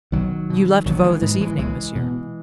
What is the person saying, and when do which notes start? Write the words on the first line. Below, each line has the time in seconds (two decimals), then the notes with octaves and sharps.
"You left Vaux this evening, monsieur?"
0.12 B1 D#3 F#3
0.50 B2
0.86 A#1 D#3 F#3
1.03 E3 G#3
1.22 G#2 E3 G#3
1.41 E3 G#3
1.58 C#2 E3 G#3
1.95 B2